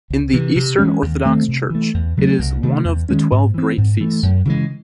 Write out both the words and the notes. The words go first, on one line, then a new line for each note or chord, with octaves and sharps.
In the Eastern Orthodox Church, it is one of the twelve Great Feasts.
C#2
C3 E3
C3
E3 G#3 C#4
D#2
D#3 A3 C4
C3
E3 A3
E2
C#3 F#3 A3
C2
C3 D#3 A3
E2
D#3 G#3 C#4
G#2
E3 C4
G#2
E3 A3
F#2
C#3 E3 G#3